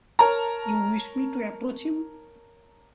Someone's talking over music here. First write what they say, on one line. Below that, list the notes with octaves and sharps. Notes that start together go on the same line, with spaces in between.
You wish me to approach him?
A#4 C#5 A5 A#5